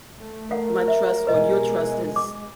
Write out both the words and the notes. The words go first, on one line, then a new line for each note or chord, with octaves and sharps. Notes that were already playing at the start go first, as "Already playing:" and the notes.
my trust or your trust is
A3
A#4 F5 F#5
E5
B2 G#3 B4 D#5
D6